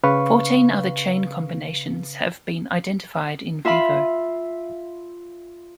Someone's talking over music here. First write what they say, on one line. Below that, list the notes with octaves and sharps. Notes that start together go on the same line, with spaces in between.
Fourteen other chain combinations have been identified in vivo.
C#3 B4 F5 C#6
F4 E5 F5 B5